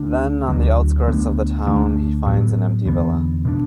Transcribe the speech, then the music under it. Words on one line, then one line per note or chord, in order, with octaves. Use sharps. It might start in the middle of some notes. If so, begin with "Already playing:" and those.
Then on the outskirts of the town he finds an empty villa.
Already playing: D2 D3 D4
D2 D3 F#3
D2 D3 B3
D2 D3 A3 D4
A2 F#3 B3
E2 D3 B3
B2 A3 D4